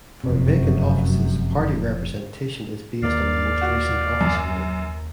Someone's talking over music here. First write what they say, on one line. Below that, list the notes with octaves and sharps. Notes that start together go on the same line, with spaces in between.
For vacant offices, party representation is based on the most recent officeholder.
F1 F#2 C3
D#2 A#4 D5 F5
F#4
F#2